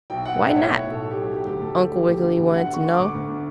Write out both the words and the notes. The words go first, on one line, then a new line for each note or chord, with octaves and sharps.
"Why not?" Uncle Wiggily wanted to know.
B1 G5
B1 F#5
A2 E5
A2 C#5
A2
B1 A4
B1
G4
F#3
F#3 G4
D2 G4
D2 A4
D2
F#3 G4
D2
G4
D3
G4
D2
D3 F#5
D2
C#6
D3
D6
D2
D2
D3